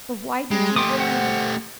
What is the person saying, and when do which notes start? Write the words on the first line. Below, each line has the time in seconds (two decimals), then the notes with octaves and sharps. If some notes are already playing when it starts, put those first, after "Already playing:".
But why did you warn me?
0.51 G3 G#3
0.76 A3 G4 C6 D6 D#6
0.98 C5 F#5